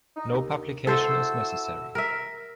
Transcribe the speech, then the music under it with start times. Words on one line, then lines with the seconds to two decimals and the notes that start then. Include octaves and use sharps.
No publication is necessary.
0.16 D#4
0.33 D#2
0.87 E4 F#4 A4 C5 E6
1.95 A#4 E5